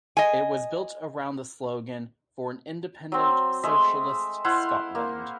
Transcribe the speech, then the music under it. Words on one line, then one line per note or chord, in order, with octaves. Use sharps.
It was built around the slogan "for an independent socialist Scotland".
D#5 G#5
F#3 C4
G#3 A3 E5
E4 C5 F5 F#5
A#3